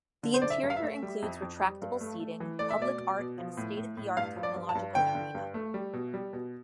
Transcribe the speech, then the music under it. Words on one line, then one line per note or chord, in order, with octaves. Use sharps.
The interior includes retractable seating, public art and a state-of-the-art technological arena.
D3
C5
D3 D5
E5
G2
F5
E5
A3
G3
F2
F2
G3
G2
A3
A3
E3
A3 D5
E5
B2 D5
B2
B2
F3
A2
A2
A2
G2 F5
F3
D5
G2
A5
G2
D3 G5
D3
G2
A3
G3
B2
G3
B2